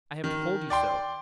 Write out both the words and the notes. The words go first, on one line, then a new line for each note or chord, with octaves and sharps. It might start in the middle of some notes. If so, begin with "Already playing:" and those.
I have told you so.
D#3
D5 G5 C6